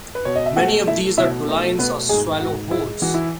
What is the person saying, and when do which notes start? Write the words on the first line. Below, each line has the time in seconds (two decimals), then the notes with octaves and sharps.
Many of these are dolines or swallow holes.
0.15 B4
0.25 B2 C#5
0.36 D#5
0.46 E5
0.56 A3 F#4 F#5
0.87 A3 E4 E5
1.18 B2 E4 E5
1.48 A3 D#4 D#5
1.79 B2 B3 B4
2.09 G#2 G#3 G#4
2.40 G#2 F#4
2.71 G#3 E4
3.02 E3 F#4
3.14 E4